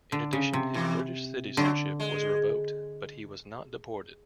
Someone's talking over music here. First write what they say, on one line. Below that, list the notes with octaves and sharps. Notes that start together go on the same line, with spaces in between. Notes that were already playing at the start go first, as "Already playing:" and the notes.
In addition, his British citizenship was revoked but he was not deported.
D3
C#3
C3
E2 E3
F#2 D3 F#3
G#3